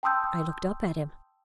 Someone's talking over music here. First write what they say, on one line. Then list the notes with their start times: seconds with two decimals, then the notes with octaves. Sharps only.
I looked up at him.
0.03 G5 A5 C6 D#6 E6 G6